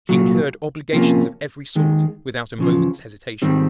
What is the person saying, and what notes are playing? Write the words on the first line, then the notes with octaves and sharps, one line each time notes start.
She incurred obligations of every sort without a moment's hesitation.
C2 A#2 F#3
C3 F3 A#3 C#4
D#2 D#3 G#3
E2 C#3 F3
G#2 D#3 G3 C4